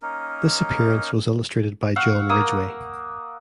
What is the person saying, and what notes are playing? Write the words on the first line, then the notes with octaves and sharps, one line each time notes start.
This appearance was illustrated by John Ridgway.
A#3 C#4 D#4 A#4
F5 F#5 C#6 E6
A#3 D#6 E6